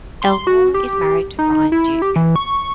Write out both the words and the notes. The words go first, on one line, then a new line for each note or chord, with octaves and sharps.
Elmore is married to Ryan Duke.
C6
F#4
G4
D#4
E4
G4
E3
C#6